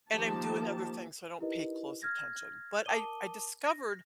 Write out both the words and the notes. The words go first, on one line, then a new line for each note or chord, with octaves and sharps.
and I'm doing other things, so I don't pay close attention, but I I discovered
D#3 F3 A#3 G4 A5
D#4 E4 G4 A#4 B4 D#5
F6 G#6 A#6
A#4 A5 D6 D#6 D#7 G7
A#6